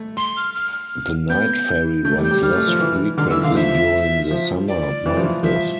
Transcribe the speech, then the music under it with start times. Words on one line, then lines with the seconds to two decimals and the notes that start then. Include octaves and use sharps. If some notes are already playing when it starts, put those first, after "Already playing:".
The night ferry runs less frequently during the summer months.
Already playing: A3
0.17 C6
0.37 F6
0.55 F6
1.30 B3 G6
2.05 A3 G6
2.18 G3
2.24 G6
2.31 G3
2.43 G3 F6
2.56 A3
2.67 F3
2.80 E3
3.17 D3 F6
3.30 E3 E6
3.43 D3 F5
3.55 F3 E5
4.31 F3
4.68 D5
5.06 E3
5.17 F3
5.25 E3
5.43 F3 E5